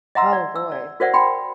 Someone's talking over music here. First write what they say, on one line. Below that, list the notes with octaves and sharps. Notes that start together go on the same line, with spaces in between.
Oh, boy.
D#5 E5 F#5 A#5 C6 E6
D5
E6
D5
F#4 A#4 C5 D5 E5 F#5
G5 B5 C6